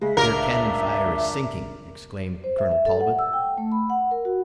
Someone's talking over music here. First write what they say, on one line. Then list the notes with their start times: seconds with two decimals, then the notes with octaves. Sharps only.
"Their cannon fire is sinking!" exclaimed Colonel Talbot.
0.01 C#3 G#3 E5
0.17 C#2 D4 A#4
2.44 C5
2.58 E5
2.71 E5
2.86 A4
3.01 F#5
3.19 E6
3.33 G5
3.58 A3
3.72 B5
3.90 F#5
4.11 A#4
4.25 F#4